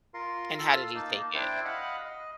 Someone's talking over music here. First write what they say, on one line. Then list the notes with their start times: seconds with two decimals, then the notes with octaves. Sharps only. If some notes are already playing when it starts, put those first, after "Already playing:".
And how did he take it?
0.14 F4 A#4 C6
0.59 F4 A4 C6 E6
0.95 A#3 D#4 A5
1.34 D4 E4 C5 G5 A5
1.65 D#5 F5 F#5 B5
2.06 D#5